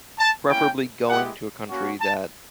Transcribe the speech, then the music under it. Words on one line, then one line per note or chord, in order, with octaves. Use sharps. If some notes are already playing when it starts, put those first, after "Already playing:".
preferably going to a country that
A5
A#3 C#4 E4 G5
G#3 B3 E4 G4 F#5
A#3 C#4 F#4
A5